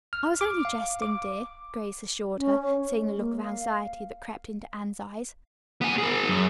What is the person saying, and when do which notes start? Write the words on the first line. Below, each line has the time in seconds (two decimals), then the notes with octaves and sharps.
"I was only jesting, dear," Grace assured her, seeing the look of anxiety that crept into Anne's eyes.
0.13 F6
0.41 D6
0.65 F5
1.02 D6
2.37 C#4
2.63 C#5
2.95 G#3
3.17 A#3
3.43 F5
5.81 B3 G#5
5.98 G#4 A#4
6.28 F#2